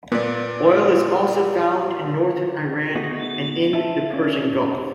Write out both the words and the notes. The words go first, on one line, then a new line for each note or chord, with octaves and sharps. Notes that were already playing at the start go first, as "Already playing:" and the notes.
Oil is also found in northern Iran and in the Persian Gulf.
A#2 B3 D5
A3 B3 D#4 F#4 G#4
E4 F4 E5 A5
C#4 D5